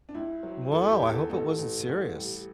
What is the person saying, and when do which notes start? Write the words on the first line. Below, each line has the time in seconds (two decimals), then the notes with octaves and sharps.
Wow, I hope it wasn't serious.
0.09 D4
0.14 C#2 E4
0.43 F#3
0.72 E2 A4
0.91 G4
1.01 E2
1.10 A4
1.29 A1 A4
1.58 A1
1.87 A1
2.16 G3